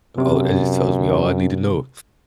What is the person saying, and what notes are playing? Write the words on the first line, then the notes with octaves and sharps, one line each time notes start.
Oh, that just tells me all I need to know.
F#2 C3